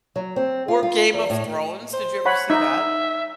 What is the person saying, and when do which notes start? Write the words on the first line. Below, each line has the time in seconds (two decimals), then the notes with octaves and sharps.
Or Game of Thrones? Did you ever see that?
0.16 F#3
0.36 C4
0.68 F4
0.83 F4
1.13 E2
1.30 A2
1.93 C5
2.25 C#5 F#5 B5
2.50 D#4 E5